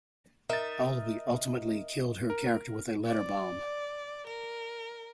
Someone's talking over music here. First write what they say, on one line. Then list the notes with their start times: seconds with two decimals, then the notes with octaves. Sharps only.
Albie ultimately killed her character with a letter bomb.
0.49 D#4 A#4 E5 A6
2.30 A#4
3.05 D5
4.27 A#4